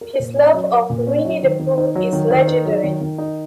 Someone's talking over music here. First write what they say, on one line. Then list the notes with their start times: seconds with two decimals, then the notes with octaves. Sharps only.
His love of Winnie-the-Pooh is legendary.
0.01 A#4
0.19 A#2
0.37 C#4
0.54 F#3
0.71 A#4
0.90 A#2
1.07 C#4
1.25 F#3
1.43 D#3
1.59 D#3
1.77 D#4
1.95 F#3
2.13 D#3
2.31 D#3
2.48 D#4
2.65 F#3
2.84 D#3
3.01 D#3
3.18 D#4